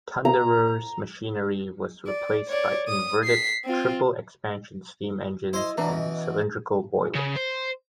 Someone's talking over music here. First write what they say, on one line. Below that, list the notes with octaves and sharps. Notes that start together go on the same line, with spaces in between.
"Thunderer"s machinery was replaced by inverted triple-expansion steam engines and cylindrical boilers.
A#5
D5
C#5 D5
D#6
B6 C7
C4 F4
E4 C5 D#5 C6
B2 E3 D4 B4 A#5
C#4 D#5
C#3
C5